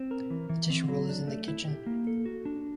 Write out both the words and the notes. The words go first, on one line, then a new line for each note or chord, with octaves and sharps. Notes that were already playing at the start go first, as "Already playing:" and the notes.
The tissue roll is in the kitchen.
Already playing: C4
A#4
E3
E3
C4
F#3
D4
A3
E4
G4
A#3
A4
F#4
D4